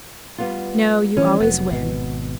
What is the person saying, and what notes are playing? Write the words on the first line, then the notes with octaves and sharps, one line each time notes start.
"No; you always win."
G3 B3 F4
E3 F3 A3 C#4
F1 F#3 B3
G#1 B2